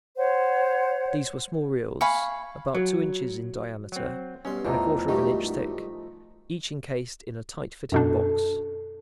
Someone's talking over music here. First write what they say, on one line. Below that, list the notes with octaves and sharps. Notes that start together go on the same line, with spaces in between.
These were small reels, about two inches in diameter and a quarter of an inch thick, each incased in a tight-fitting box.
C5 C#5 F#5
F5 G#5 B5 C#6
F#3
F#3 C4
G2 B2 C#4 C6
E2 A2 E3 F3 D4 D#5 A#5
G#2 D#3 G3 A3 D#4 F#4 G4
F#2 B2 D4 A4